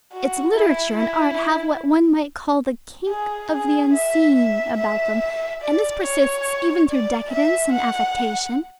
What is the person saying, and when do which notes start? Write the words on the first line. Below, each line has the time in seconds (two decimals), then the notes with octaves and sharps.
Its Literature and Art have what one might call the kink of the unseen about them, and this persists even through decadence and affectation.
0.13 F#4
0.55 E4
0.97 E4
3.08 G#4
3.51 G#4
3.93 E5
4.35 E5
4.77 E5
5.61 D5
6.04 C#5
6.88 D5
7.30 E5
7.72 F#5